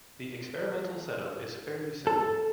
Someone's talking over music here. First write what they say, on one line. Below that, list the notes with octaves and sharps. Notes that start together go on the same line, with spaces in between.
The experimental setup is fairly simple.
A4